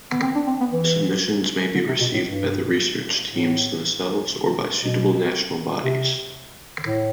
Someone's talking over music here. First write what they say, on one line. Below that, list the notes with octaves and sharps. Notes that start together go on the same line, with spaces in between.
Submissions may be received by the research teams themselves or by suitable national bodies.
B3
C4
D4
C4
B3
E3
D3
C3
B2
A2
G2
A2
B2
C3
A2